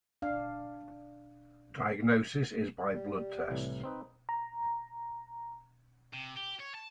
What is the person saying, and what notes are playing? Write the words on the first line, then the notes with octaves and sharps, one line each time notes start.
Diagnosis is by blood tests.
D4 F5
G3
C2 A2 E3
C4 D#4 B4
A#5
C3
G4
C#5
A5